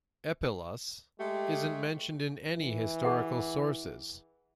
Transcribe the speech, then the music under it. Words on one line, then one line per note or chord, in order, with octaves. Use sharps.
Eppillus isn't mentioned in any historical sources.
G#3 A3 G4
E3
G#4 F#5